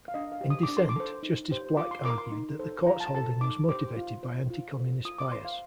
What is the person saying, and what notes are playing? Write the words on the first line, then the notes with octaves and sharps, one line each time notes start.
In dissent, Justice Black argued that the Court's holding was motivated by anti-communist bias.
F5
D4 D#5
F5
G4 C5
D#6
D6
D4
C6
D6
A4 C5
D#4
G4 C5
F4 D6
C6
A#4 D6
C6
D#4
A4 C5
F4 A#5
A5
A4 C5 A5
D#4 D6
G4 C5 D6
F4
C5
F4
A4 C5
F4 D#6
D6
C5 C6
F5